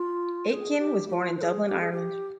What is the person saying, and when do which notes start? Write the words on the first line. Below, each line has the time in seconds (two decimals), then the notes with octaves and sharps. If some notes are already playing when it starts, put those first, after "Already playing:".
Aitken was born in Dublin, Ireland.
Already playing: F4
0.49 C5
0.53 G#4
0.78 G4
1.08 G4
1.13 F4
1.37 C5
1.41 G#4
1.66 G4
1.80 G#4
1.92 G4